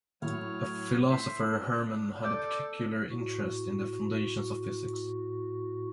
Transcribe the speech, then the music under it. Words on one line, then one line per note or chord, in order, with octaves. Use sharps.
As a philosopher, Hermann had a particular interest in the foundations of physics.
A2 F#3 C#5 F6
C5 E5
D4
A4 D5 G6
A2 F#4